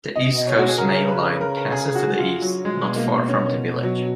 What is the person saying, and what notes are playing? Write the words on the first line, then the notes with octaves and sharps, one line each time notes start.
The East Coast Main Line passes to the east, not far from the village.
D#5
B2
C#5
F#4
G#4
C#3 A#4
B4
A#4
G#4
F#4
F4
F#3
B2 G#3
A#3
C#4
F#3